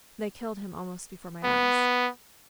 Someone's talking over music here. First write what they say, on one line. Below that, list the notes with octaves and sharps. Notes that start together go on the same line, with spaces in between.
"They killed him almost before my eyes."
B3